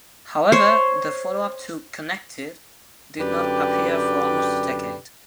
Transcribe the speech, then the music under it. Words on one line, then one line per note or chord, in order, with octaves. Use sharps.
However, the follow-up to "Connected" did not appear for almost a decade.
C5 C#5
F#2 D3 G4 B4 D5 G5